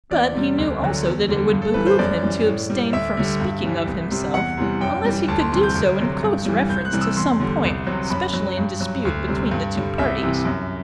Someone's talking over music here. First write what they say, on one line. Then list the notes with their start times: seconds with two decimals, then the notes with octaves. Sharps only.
But he knew also that it would behove him to abstain from speaking of himself unless he could do so in close reference to some point specially in dispute between the two parties.
0.11 E2 D5
0.34 C3 G3
0.58 D2
0.82 D3 F#3
1.05 E2
1.28 D3 G3
1.52 G2
1.62 A4
1.74 E3 G3 B4
1.86 C5
1.99 F#2 D5
2.23 E3 G3
2.46 A2
2.70 G3
2.93 D2 E5
3.17 D3 G3
3.40 G2
3.64 E3 G3
3.87 C2
4.11 C3 G3
4.34 E2 F#5
4.57 C3 E3 G3
4.81 F#2 G5
5.04 E3 G3
5.28 D2 A5
5.40 C6
5.52 C3 E3 G3 C6
5.63 G6
5.75 D2
5.99 C3 F#3
6.23 G2
6.45 E3 G3
6.69 C2 G6
6.85 F#6
6.93 C3 E3 G3
7.01 E6
7.16 E2 C6
7.40 D3 G3
7.64 C2
7.87 C3 F#3
8.10 F#2 B5
8.33 F#3
8.57 G2
8.80 F#3
9.05 D2
9.28 C3 G3
9.51 G2
9.75 D3 G3
9.98 C2 E5
10.22 C3 E3
10.45 F#2